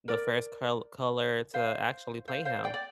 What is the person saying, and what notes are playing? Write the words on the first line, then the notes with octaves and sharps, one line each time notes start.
the first col color to actually play him.
A#4 D5
C5 F5
C5 F5
C5 F5
D5 G5
D5